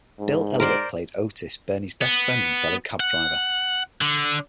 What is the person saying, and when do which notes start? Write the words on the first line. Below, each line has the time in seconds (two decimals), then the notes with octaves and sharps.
Bill Elliott played Otis, Bernie's best friend and fellow cab driver.
0.20 G#2
0.60 A#4 C5 D5
2.02 B3
3.00 F#5
4.01 D3